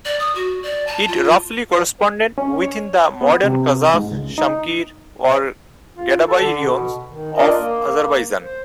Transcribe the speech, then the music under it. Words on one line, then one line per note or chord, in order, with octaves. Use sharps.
It roughly corresponded within the modern Qazakh, Shamkir or Gadabay raions of Azerbaijan.
D5
D#6
F#4
D5
A5
F4
C#4
C#5
B3
C3
G#2
C#2
D#4
F4
A4
D3
B2
D#3
D4 F4 A#4 D5 D#5
A#3
C5